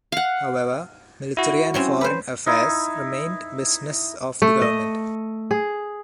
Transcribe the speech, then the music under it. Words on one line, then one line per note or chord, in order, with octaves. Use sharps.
However, military and foreign affairs remained business of the government.
F5 F#5
E4 F#4
F#3 C4 C#4
B4 C5
D#4 E4
A3
D#5
G#4